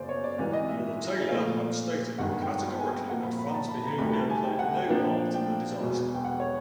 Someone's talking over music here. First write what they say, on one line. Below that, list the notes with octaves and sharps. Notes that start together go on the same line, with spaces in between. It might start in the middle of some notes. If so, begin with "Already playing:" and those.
Lord Taylor had stated categorically that fans' behaviour played no part in the disaster.
Already playing: G1 F#2 C#3 A#3 C5 D5
C#5
D5
G#1 G#2 E3 G3 D5
D#5
E5
A#2 F3 A3 F5
G1 G2 D#3 G#3 F#5
G5
G5
G#5
G5
A#2 F3 A#3 F#5
B5
B5
A#5
A5
B5
A#5
D2 C3 D#3 G3 B5
A5
G#5
G5
F#5
G5
A#2 F3 A#3 D4 F4 G5
G5
E1 E2 B2 F#3
G5
F#5
C#5